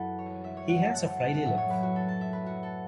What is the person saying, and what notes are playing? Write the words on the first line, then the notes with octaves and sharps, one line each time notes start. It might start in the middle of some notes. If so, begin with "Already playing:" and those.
He has a Friday look.
Already playing: F#2 E3 F#4 A4 B4 F#5
C#5
E5
C#5
F#5
A5
F#5
F#5
A5
F#5
A2 F#3 E5
C#5
B4
F#4
A4
A5
E5
B4
F#4
A4